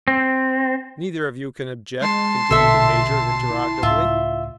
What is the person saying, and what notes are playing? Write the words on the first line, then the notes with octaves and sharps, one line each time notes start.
"Neither of you can object?" continued the major, interrogatively.
C4
G#3 A5 C6
A#1 B2 D3 A4 E5
E4
C#2 A2 F4 E5